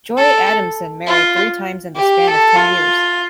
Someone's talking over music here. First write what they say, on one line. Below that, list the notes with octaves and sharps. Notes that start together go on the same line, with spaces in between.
Joy Adamson married three times in the span of ten years.
A4
F4
G4
A4
F4